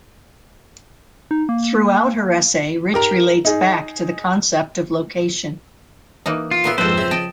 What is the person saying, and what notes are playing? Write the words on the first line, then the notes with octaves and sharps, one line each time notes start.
Throughout her essay, Rich relates back to the concept of location.
D#4
A#3
G4 A#4 A#5
D#4 G#4
E3 A#3 D#4
F4
A#2 B3 E4 A#4 C5
A#1 F2 G#2 C4 A4 B4 C5
C#3 F3 E5
D#5 G5 A5